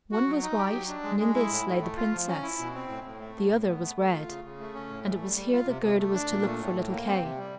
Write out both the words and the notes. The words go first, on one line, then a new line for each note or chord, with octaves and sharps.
One was white, and in this lay the Princess; the other was red, and it was here that Gerda was to look for little Kay.
F#4
F#3
D#4
G4
F#3
D4
G#3
G#3
E4
A2
A2
A3
F4
F3
C#4
E4
B2
C4
A2
A2
A3
A2
A2
B3
A3
A3
F4
C#3
C#3
A3
C#4
A2
A3
G3
G3
F4
C3
C3
A3
D4
A#2
A3
A2
A2
A#3
C4
C3
G3